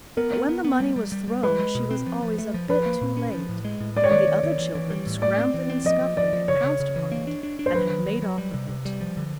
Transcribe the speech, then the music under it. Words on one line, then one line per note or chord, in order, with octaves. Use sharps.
But when the money was thrown, she was always a bit too late, and the other children, scrambling and scuffling, had pounced upon it, and had made off with it.
B3 A#4
B3
B3
B3
G3
G3
G3
G3
G#3 B4
G#3
B2
C4
F3
F3
A3
F3
F3 B4
A#3
A#2
C#4
F3
A2
G#3
A2
G#3 D5
C#5
D#3 D5
D#3
D#3
E3
E3
G3
A2
A3 D5
C4
E3
C4
F3 D#5
F3
F3 D5
F3
C#3 C#5
C#3
C#3
E3
A#3
D4
D4
D4
C5
F#3 B4
D#3
F#3
F#3
G3
C3
C3
G3
F3
D3